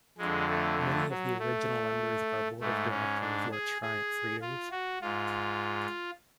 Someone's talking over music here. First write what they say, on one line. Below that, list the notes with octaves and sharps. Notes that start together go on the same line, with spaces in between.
Many of the original members of our Board of Directors were "Triumph" readers.
F2 D3 G#3
A3
A3
F#3
A3
G#2 A3
C#4
D4
G#4
G#4
F4
F#4
G#2 F4